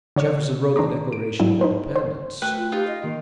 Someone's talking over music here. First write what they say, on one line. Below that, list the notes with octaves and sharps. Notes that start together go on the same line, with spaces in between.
Jefferson wrote the Declaration of Independence.
D3 C#5 D5 F6 C#7
D#3 D4 C5 A#5 D6
D7
G#2 F#3 D4 E4
D#4 B4 C5
C5
A3 F#4 B4 G5 F#6
F4
D#4 F4 G4
D#5
D#3 A#3